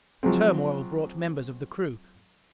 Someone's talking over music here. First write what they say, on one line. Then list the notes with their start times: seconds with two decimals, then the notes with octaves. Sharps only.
The turmoil brought members of the crew.
0.23 F3 F#3 G#3 C4